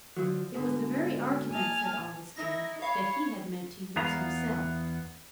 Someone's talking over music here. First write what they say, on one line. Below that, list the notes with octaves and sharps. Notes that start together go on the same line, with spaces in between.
It was the very argument, said Augustine, that he had meant to use himself.
D3 F3 F#3
G#2 B2 D3
A#2 D#5 G#5 A5 F6
D#4 E4 A#6
C#5 F5 B5
E2 B3 E4 F5 A#5